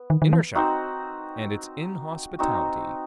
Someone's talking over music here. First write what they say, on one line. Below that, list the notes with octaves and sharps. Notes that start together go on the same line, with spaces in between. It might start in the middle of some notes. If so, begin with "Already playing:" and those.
Inertia and its inhospitality.
Already playing: B3
D#3
D#3
E3
C4 D#4 F#4
C4 D#4 F#4